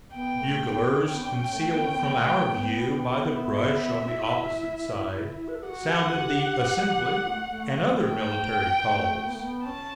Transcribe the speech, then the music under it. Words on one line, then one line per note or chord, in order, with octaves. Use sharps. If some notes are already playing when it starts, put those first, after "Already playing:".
Buglers, concealed from our view by the brush on the opposite side, sounded the "assembly," and other military calls.
B3 G5
A3
B3
C#4 G5
C#4
B3
D4
C#4
A3
B3
C#4
B3
A3
B3
E5
E4
B4
A4
G4
F#4 F#5
G4
A4
F#4
G4
A3
A3
G5
A3
B3
A3
B3
C#4 A5